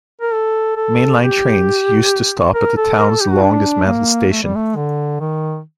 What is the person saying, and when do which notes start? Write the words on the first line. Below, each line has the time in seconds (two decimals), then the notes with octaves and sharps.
Mainline trains used to stop at the town's long dismantled station.
0.22 A#4
0.33 A4
0.76 A4
1.22 G4
2.54 A#4
2.77 A4
2.99 A#4
3.09 A4
3.21 G4
3.31 F#4
3.42 D4
3.87 A#3
4.32 A3
4.43 G3
4.55 A3
4.76 D3
5.20 D#3